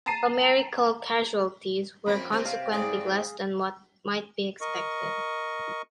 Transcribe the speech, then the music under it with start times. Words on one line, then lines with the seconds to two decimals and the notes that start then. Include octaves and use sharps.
Americal casualties were consequently less than what might be expected.
0.06 A5 A#5 A6 C7 D#7
2.06 F2 A#3 C4 B5
2.30 C3 C4
2.45 F5
2.72 G#2 C4 G#4 D5
4.61 A#4 D#5 C#6